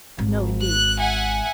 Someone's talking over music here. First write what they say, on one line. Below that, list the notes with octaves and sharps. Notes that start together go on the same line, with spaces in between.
"No, indeed."
G#1
F#6
E5 F#5 G#5